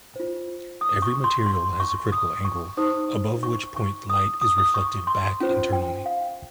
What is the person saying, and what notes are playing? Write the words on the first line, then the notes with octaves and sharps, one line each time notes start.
Every material has a critical angle, above which point light is reflected back internally.
F4 C5
D#6
C#6
C6
C6
C#6
D#6
C#6
D#4 G4 C5 D#6
C#6
C#6
D#6
D#6
D#6
C#6
C6
C#4 F4 C5
G5
F5